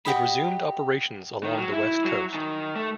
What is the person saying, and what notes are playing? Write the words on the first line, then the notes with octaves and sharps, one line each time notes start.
It resumed operations along the west coast.
F#4 G4 D#5 B5
D#3
F#3
E4
F#3
D#3
A3